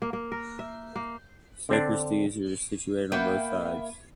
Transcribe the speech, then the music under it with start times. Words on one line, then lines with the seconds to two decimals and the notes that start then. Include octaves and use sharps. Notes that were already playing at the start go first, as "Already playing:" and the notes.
Sacristies are situated on both sides.
0.02 A#3
0.13 A#3
0.32 A#4
0.59 E5
0.96 A#3
1.69 D3 C4 D4
3.12 A#3 B3 E5 G5 B5